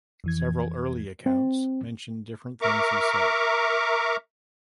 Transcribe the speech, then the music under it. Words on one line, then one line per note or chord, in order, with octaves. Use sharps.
Several early accounts mention different things he said.
F2 E3 G#6
C4
A#4 E5 A#5 C#6 D6